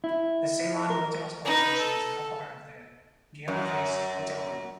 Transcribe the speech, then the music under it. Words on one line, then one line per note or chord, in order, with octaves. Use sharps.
The Ceylon Hotels Corporation is now part of the Galle Face Hotel Group.
E4
A#4
D#4 B4
A4
F#2